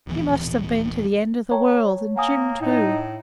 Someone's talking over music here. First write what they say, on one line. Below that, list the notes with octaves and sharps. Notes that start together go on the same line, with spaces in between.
You must have been to the end of the world, and Jim, too.
D1 A#1 B2 E3
C#5 G5 A5 A#5
A#3 F#5 G#5 D#6
A2 D#4